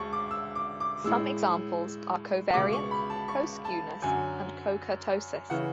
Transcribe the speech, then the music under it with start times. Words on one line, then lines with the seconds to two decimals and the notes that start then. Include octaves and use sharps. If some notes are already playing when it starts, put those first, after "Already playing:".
Some examples are covariance, coskewness and cokurtosis.
Already playing: D2 D3 G#3 A5 C#6
0.13 D6
0.31 E6
0.55 D6
0.80 D6
1.04 A2 G#3 E6
2.54 C#2 B2 G#3 D6
2.72 C#6
2.91 B5
3.10 A5
3.28 C#6
3.65 A5
4.02 F#2 D3 F#3 G#5
5.50 C#3 E3 F#5